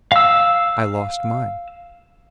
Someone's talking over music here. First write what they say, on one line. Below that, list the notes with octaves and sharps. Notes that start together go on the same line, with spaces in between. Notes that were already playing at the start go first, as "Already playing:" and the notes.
"I lost mine."
F5 E6